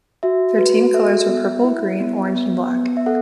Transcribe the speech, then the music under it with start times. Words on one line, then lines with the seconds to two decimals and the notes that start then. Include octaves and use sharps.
Their team colours were purple, green, orange and black.
0.23 F#4 E5
0.58 F#4 B4
0.94 A4 E5
1.29 B3
1.64 E4
2.00 B3
2.35 B3
2.71 B3
2.97 E5
3.06 A4 F#5